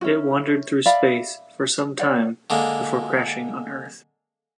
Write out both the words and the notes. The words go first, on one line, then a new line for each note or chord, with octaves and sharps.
It wandered through space for some time before crashing on Earth.
C#4 E4 F#4
D5 E5 F5 B5
C#5 D5 F#5
D3 G#3 A#3